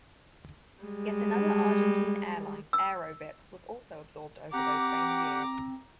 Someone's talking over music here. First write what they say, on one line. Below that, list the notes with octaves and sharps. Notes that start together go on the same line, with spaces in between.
Yet another Argentine airline, Aerovip, was also absorbed over those same years.
G3 G#3
E6
C4 G4 F#5 A#5 D6